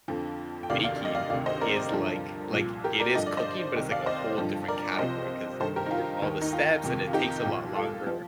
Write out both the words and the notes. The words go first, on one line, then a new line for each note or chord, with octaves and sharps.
baking is like, like it is cooking, but it's like a whole different category 'cause it's all the steps and it takes a lot longer.
F2 D3 F3
G5
D2 C3 D#3 D5 F5
D5 F5
D5
D#5
D5 F5
D2 C3 D#3 D5 F5
C5 D#5
A#4 D5
G2 D3 F3
C2 A#2 F3
G4 A#4
A#4 D5
G2 D3 F3 D#5
D5
C5 D#5
C2 C3 D#3
D5 F5
C5 D#5
G2 D3 F3
A#4 D5
C2 C3 F3 C5 D#5
G2 D#3 A4 C5
G4 A#4
D#4
F4
D#2 D#3
D#4
F4
F2 C3 D#3
F4
D#4 G4
C2 A#2 F3
F4 A4
F3